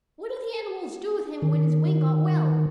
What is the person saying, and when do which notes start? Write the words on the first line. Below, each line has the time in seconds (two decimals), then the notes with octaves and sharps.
"What did the animals do with him when his wing got well?"
1.42 D#3